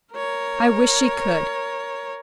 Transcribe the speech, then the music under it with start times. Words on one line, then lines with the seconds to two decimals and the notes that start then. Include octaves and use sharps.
I wish she could.
0.13 A#4 C#5